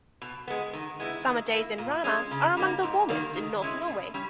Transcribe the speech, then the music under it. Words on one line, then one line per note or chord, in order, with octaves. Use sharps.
Summer days in Rana are among the warmest in North Norway.
B2
G#3 B3
D#3
G#3 B3 E4
D#3
A#3 E4
A#2
G#3 C#4
C#3
G3 A#3 D#4
G#2
D#3 G3 A#3
D#3
G#3 C#4 E4
B2
G3 C#4